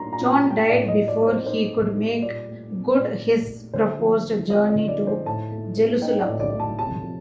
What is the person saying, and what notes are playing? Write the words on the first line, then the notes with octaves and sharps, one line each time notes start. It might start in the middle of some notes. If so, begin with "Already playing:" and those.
John died before he could make good his proposed journey to Jerusalem.
Already playing: A#2 G3 A#3 D4 A#5 C6
A#5
A#2
A5
G3
G5
A2 D5
D#5
G3
D5
C4
C5
D#4 C5
A2
G3
A#2 D5
A3
C4
A#2 D5
A#2
A3
D3 C5
F3
A3
C4 D#5
D#5
D3
D5
F3
C5
A2 A5
A3
C4
D#4 G5
D5
A2
D5
A3
A5
C3 A5
F3